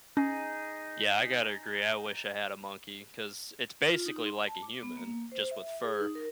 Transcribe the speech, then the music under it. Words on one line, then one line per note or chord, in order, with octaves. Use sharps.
Yeah, I gotta agree, I wish I had a monkey, 'cause it's basically like a human, just with fur,
C#4 D#4 G#4
F4
D#4
C6
A5
D6
B3
A#3
C5
E5
G#4
D#4
A#4